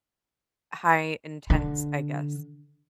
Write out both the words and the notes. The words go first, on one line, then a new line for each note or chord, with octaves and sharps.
high intense, I guess.
D3